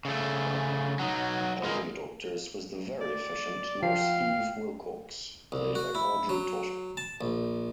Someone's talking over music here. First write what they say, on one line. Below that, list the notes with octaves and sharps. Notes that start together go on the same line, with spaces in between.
Helping the doctors was the very efficient Nurse Eve Wilcox, played by Audrey Totter.
C#3 A3
F#3 D#4
G#3 A#4
D5
F3 F5 G5
C2
F#4
E4
F#3
A5
A#1